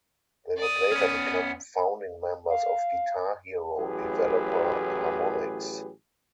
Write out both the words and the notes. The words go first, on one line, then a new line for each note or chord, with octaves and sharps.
They would later become founding members of "Guitar Hero" developer Harmonix.
D5 D#6
B3 C#4
F5
A1 A2 F#3 G4 G#4 B4